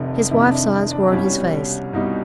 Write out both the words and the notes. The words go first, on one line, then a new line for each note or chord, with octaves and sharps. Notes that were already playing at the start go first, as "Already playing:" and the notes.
His wife's eyes were on his face.
Already playing: F1 F2 C3 D#3
F1 F2 C3 D#3 E4
D4
D4
C2 B2 G3 C#4
C2 B2 G3 D#4